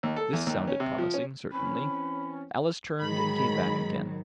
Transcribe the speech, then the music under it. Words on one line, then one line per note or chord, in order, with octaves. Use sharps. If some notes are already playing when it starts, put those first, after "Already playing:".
This sounded promising, certainly: Alice turned and came back again.
D#2
A4
E2
D#2
C#4
C3
F3
C#4
E3 C4 C#4 B5
G#2 D#3 F#3 G#3 B5